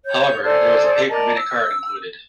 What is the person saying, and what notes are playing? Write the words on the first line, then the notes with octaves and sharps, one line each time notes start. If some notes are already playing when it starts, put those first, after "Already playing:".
However, there was a pay-per-minute card included.
C#5 G6
G#4 A4 C5 D5
A#4 D5 D#5 A5
E6